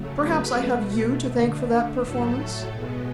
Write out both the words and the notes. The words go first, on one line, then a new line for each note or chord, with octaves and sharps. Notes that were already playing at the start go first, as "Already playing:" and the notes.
Perhaps I have you to thank for that performance?
Already playing: C#3 F#3 A3
B4
B2 A3
D3 A3
A2 F#3 A3 A4
B2 G#3 B3